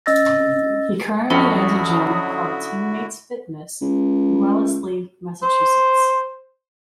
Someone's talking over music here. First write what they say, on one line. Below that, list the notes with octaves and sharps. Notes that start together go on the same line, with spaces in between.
He currently owns a gym called Teammates Fitness in Wellesley, Massachusetts.
C#4 D#5 E6 A6 A#6
F2 D3 F#3 C#4 E4 F#4 D#6
C#2
C5